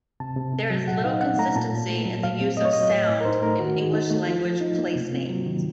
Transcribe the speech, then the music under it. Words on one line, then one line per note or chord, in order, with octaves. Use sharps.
There is little consistency in the use of "sound" in English-language place names.
C3 A5
C3
C4
F#3
A#2 F#5
D#4 F5
C4 F#5
A3 A#5
A#2 A5
A#2
A3
F#3
A#2 F5
C4
A3 D#5
C#5
F#3 D#5
A2
A2
A#4
D#4 C5
A3 A#4
D#3 F#4
D#3
D#4
A3
F3 F4
F3
D#4
A#3
C3
C4
F#3
D#3